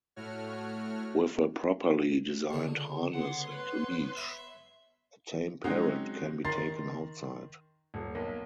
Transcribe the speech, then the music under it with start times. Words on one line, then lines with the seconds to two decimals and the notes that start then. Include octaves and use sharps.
With a properly designed harness and leash, a tame parrot can be taken outside.
0.16 A2 A3 F#4 C#5 F6
2.51 C#2 D3
3.13 B3 C#5 F#5 C6
3.52 B4
4.17 B4 E5
5.64 F#3 G#3 C4 C#4 D#4 F#4
6.45 D#3 A#5 C6 A6 C7
7.94 D#1
8.15 B1 A#3